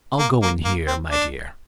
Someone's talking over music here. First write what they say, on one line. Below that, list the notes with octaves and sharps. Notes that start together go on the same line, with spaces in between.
"I'll go in here, my dear."
A#3
A#3
A#3
C4
D4